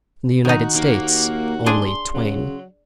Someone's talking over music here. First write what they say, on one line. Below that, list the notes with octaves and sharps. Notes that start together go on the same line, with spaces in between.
In the United States, only Twain.
D#3 D#4 F#4
D#2 A#3
D4 G#4 C6
C#3 F#3